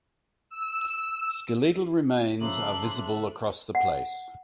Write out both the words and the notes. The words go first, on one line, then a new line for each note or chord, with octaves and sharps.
Skeletal remains are visible across the place.
E6
C#3 F3 A4 E5 A#5 C6 D6 F#6
F#5